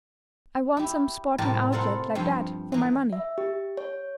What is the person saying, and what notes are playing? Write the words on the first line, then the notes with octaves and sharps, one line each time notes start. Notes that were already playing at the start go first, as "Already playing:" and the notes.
I want some sporting outlet like that for my money.'
E4 G4
A2 C3 G3 G4 A#4 A5
E4 F4 A4 A#4 C5 F#5
G2 F3 C4 C#5 C6
E3 A#3
E5
G4
C#5